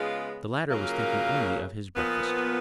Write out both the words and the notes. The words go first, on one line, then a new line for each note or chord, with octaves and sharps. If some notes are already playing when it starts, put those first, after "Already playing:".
The latter was thinking only of his breakfast.
Already playing: C#3 G#3 B3 F4
C#3 F#3 A#3 F4 A#4
A#2 F3 B3